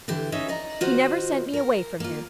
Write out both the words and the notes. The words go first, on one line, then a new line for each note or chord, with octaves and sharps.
He never sent me away from him.
D3 E3 G4
C#4 D#4 E5
D5 D#5 A#5
D#3 F4 F#4 C5
A#4
A#3 F4